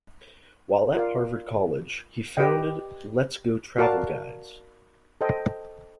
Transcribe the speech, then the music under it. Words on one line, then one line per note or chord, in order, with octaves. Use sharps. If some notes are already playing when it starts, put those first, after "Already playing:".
While at Harvard College, he founded Let's Go Travel Guides.
F4 A#4 D5 F5
G4 B4 D#5 G5
F#4 A#4 D5 F5 A5
A4 C5 D#5 G5